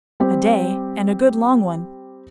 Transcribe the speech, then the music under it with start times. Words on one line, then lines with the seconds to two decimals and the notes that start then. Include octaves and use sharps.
"A day, and a good long one."
0.20 G3 C4 G4